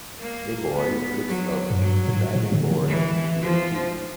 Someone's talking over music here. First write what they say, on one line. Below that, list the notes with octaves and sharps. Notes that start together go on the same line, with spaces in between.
A boy flips off a diving board into a pool.
A#3
B3
F#3
F#2
G2 F#3
G#2
A2
D3
D3
E3
F3